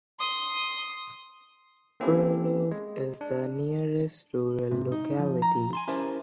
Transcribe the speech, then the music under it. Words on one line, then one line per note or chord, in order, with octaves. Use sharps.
Frolov is the nearest rural locality.
C6 D#6
A#3 C4 C#4 E4 G4 A4
G#3
D4
G#2 C3
D#4
F3
A#5
G#5 A5 C6
C#4 E4 G4 A#4 C5 A5